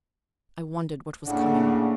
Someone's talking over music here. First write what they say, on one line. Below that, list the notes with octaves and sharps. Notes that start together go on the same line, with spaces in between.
I wondered what was coming.
A2 C#3 A#3 D4 F#5